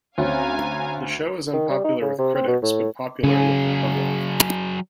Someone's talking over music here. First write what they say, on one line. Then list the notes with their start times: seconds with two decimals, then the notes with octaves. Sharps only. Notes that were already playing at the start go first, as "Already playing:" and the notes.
The show is unpopular with critics but popular with the public.
0.18 D2 C4 C#4 F5 G#5 A#5
1.53 D#3
1.69 G3
1.84 D#4
2.01 C#3
2.18 C3
2.35 C4
2.47 B2
2.62 A2
3.24 C#3 F#3 G#4